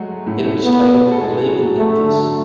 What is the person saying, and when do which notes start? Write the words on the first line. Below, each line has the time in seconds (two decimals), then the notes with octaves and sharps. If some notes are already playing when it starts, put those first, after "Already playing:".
It was titled "Live in Memphis".
Already playing: F#3 G#3 A3 F#4 G#4
0.26 A2 A3
0.45 A2 A3
0.64 B3
1.11 A4
1.21 G#3 G#4
1.35 G#3 G#4
1.49 F#3 F#4
1.63 F#3 F#4
1.78 A3
1.96 D3 D4
2.15 F#3 F#4